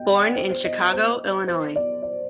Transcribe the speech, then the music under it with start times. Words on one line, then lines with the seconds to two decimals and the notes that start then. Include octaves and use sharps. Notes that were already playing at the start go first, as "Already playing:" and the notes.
Born in Chicago, Illinois.
Already playing: D#5 G5
0.09 D5
0.36 C5
0.50 C5
0.64 D#5
0.92 C5
1.47 C5
1.76 D5
2.03 D5